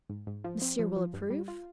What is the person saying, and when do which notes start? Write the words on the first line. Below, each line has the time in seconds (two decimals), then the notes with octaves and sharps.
"Monsieur will approve?"
0.10 G#2
0.27 G#2
0.44 F3
0.62 C4
0.79 F3
0.96 F3
1.13 G2
1.30 G3
1.48 F4